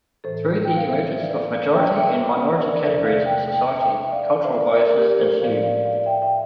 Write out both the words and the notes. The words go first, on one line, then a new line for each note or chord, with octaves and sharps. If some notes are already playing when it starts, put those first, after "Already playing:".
Through the emergence of majority and minority categories in society, cultural biases ensue.
A2 E3 A4 C5
G5
F5
C5 E5
D5 F5
D5 F5
E5 G5
E5 G5
C5 E5
C5 E5
A#4 D5
D5
E2 C3 F3 C5 E5
D5 F5
G5
G5
E5 G5
D5 F5
D5 F5
C5 E5
A#4 D5
A#4 D5
G4 A#4
A4 C5
A2 F3 D5 F5
D5 F5
D5 F5
E5 G5
E5 G5